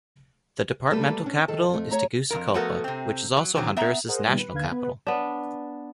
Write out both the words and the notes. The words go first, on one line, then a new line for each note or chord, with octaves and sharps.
The departmental capital is Tegucigalpa, which is also Honduras's national capital.
G3 A3 A#3 A4 B4
C#4 D4
D#3 A4 A5
F2 A3
C#5 E5 A#5
F2 B2 A#4
F3 A3 B3 F#4 A4 A#4
C3 C4
F#3
E2 D3 D#3 F#3 A3 C4
B3 E5 A#5
G#4 A#4 C5 D#5 F#5
A#2 D#3 G3 B3
B4
D#2 D3 B4 F5 G#6
B3 B4
B3 D4